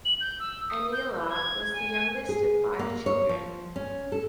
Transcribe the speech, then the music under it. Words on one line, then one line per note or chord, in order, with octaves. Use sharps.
Aniela was the youngest of five children.
F#7
G6
E6
D#6
G6
G#6
G#5
G#4
A#3
C#5
F3
C#4
A4